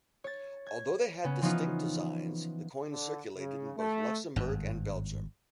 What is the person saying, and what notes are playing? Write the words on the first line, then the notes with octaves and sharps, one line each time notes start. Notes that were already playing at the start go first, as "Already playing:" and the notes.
Although they had distinct designs, the coins circulated in both Luxembourg and Belgium.
C#5 A6
G#6
C#3 B3 C#4
E3 F3 B3 C#4 D#4 F4
D3
C#3
A3
G#1 G2